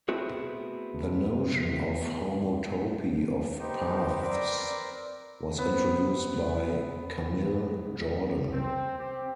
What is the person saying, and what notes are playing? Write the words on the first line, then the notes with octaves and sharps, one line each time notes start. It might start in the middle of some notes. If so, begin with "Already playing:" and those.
The notion of homotopy of paths was introduced by Camille Jordan.
A3 B3 C4 E4 F#4 G#4
B3 D#4 G4 C5
C4 A#4 B4 D5
B3 C4
C4
C4 G4